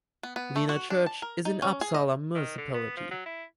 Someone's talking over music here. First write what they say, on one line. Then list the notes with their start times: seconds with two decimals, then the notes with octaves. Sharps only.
Lena Church is in Uppsala Municipality.
0.23 B3
0.36 B3
0.56 A3
0.69 F#4
0.90 D4
1.06 A5
1.22 A#4
1.45 D#4
1.62 C#4
1.81 G#4
1.94 D#5
2.35 D#3
2.58 D3
2.74 B3
2.97 F3
3.11 F#3
3.26 E4